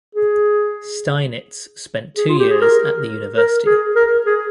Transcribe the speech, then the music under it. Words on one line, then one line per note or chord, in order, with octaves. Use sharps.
Steinitz spent two years at the university.
G#4
G#4
F4
G4
G#4
A#4
A#4
G#4
A#4
G#4